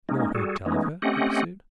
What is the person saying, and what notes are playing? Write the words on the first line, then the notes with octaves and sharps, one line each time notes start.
"Nor heard tell of her?" he pursued.
G#3 A#3 C#4 D#4
G3 F#4 G#4 A4
E3 G#3 A3 B3 C#4 D#4
A3 C4 C#4 G4 D#5 F#5